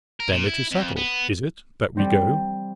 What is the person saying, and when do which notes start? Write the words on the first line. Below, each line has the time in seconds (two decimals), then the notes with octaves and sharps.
"Then it is settled, is it, that we go?"
0.20 A#4
0.32 A#2
0.46 E4
0.72 F2
0.97 B3
1.97 G3 C4